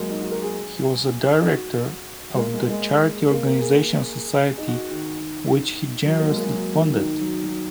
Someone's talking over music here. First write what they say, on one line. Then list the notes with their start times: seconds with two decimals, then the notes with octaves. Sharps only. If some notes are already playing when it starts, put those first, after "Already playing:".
He was a director of the Charity Organization Society, which he generously funded.
Already playing: F#3 G#3 A#3
0.09 D#4
0.20 F#4
0.32 A#4
0.43 G#4
1.41 D#4
1.47 F#4
2.34 G#3
2.38 A#3
2.54 G#3
2.69 G#3
3.31 A#3
3.45 A#4
3.61 G#4
4.58 D#4
4.68 F#4
4.91 D#3
6.06 F#3
6.20 A#3
6.29 G#3
6.37 A#3
6.44 G#3
6.52 F#3
6.75 D#3
6.93 F#3
6.98 D#3
7.21 F#3
7.44 F#3